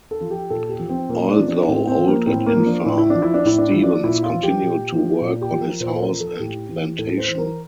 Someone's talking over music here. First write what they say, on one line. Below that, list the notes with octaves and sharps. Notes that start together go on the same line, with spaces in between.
Although old and infirm, Stephens continued to work on his house and plantation.
A4
F3 F4
G4
A#2 A4
G4
F3
C4
A#2 A#3
D4
F3
D4
A2 C4
C4
F3
A#3
A2 C4
A#3
F3
D4
A2 D4
E4
D4
F3
E4
D4
A2 E4
D4
F3 E4
D4
A#2 E4
F4
F3
G4
A#2
F3
A#2
G4
F3
A#4
A#2 C5
A4
A#4
F3
A4
A2 G4
E3
A2 A4
C5
E3
A#4